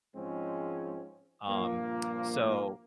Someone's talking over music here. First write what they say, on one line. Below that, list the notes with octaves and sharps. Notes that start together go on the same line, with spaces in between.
Um, so
G#2 F3 G#3 C4 C#4
G2 A#2 F3 A#3